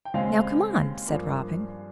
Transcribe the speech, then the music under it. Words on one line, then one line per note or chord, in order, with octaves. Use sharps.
"Now, come on," said Robin.
G5
D#2 C#3 G#3 C4 F5
G2 F3 A#3